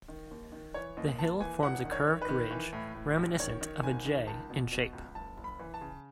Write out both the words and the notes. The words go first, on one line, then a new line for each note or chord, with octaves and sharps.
The hill forms a curved ridge, reminiscent of a 'J' in shape.
D#3
D#2
D#3
E3 C#5
D#2 D#5
D#2 A5
E3 G#5
E1 F#5
D#3
C#5
D#3
B4
D#3
E3
A2
A2
B1
D#3 C#5
D#3
G#1 G#5
D#3
C#2 A5
B2
B2
C#2
F#1 A5
F#1
B5
E3
A5
C#3